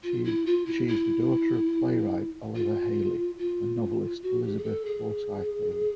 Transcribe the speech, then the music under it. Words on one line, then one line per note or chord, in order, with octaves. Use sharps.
She is the daughter of playwright Oliver Hailey and novelist Elizabeth Forsythe Hailey.
F4
E4
F4
E4
E4
F4
F4
F#4
G4
G#4
A4
G#4